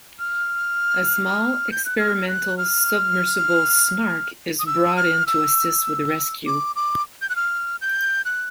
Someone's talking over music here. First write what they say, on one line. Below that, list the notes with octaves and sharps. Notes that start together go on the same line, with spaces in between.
A small experimental submersible, "Snark", is brought in to assist with the rescue.
F6
G6
F#6
F6
F#6
F6
D#6
E6
F6
E6
D6
D6
G6
F#6
F6
G6
F#6